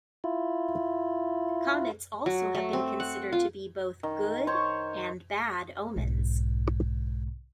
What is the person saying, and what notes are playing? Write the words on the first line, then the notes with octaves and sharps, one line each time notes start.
Comets also have been considered to be both good and bad omens.
E4 F4
F#3
A3
C4
F#5
F4
D#3
C5 C#5 C#6
B1 G#2